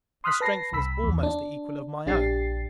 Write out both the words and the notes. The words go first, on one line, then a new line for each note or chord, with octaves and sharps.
Her strength was almost the equal of my own.
C6 D#6 F6 F#6 B6
B4 A5 A#6 C7
C2 B5 E6 B6
E2
D4
A#1 D4 G4 A6 C7